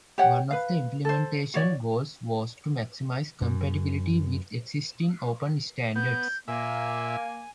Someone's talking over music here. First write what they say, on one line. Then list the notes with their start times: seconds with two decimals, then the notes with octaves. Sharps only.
One of the implementation goals was to maximize compatibility with existing open standards.
0.18 G4 C#5 F#5
0.51 B4 F5
1.05 A4 C5
1.54 F#4 C#5 D5
3.42 F#2
5.96 B3 G6
6.48 A#2 A#3 E5 G#5